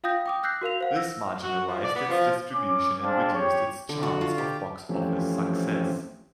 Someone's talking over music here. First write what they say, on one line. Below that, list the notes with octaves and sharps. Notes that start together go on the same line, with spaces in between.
This marginalized its distribution and reduced its chance of box-office success.
F4 F5 G5 D#6 G6 A#6
G5 D6 D#6
E6 F#6 G6 A#6 C7
F#4 A#4 F5 F7
C5 F5 F#5
E6 A#6
F#4
F3
D5
B3
F3
C#4 D6
G#3 C4 D4 G#4 F5
G4 C#5
D3
F#4
F4
G4
E3 F3 A3 C4 C#4 G4